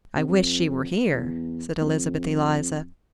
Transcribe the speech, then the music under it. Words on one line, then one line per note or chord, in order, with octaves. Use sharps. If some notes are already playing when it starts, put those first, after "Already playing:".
"I wish she were here," said Elizabeth Eliza.
C3
F2
E2
E2
F2